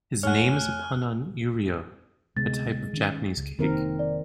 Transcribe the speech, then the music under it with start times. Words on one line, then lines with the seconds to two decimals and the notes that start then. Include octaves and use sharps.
His name is a pun on "Uiro", a type of Japanese cake.
0.23 F2 A3 C#5 F#5 G#5 F6 F#6
2.37 D2 C3 G#3 B3 A6
2.93 D#3 C#4
3.37 C#2
3.59 F1 D#3 A#3 C4 A#4
3.99 D5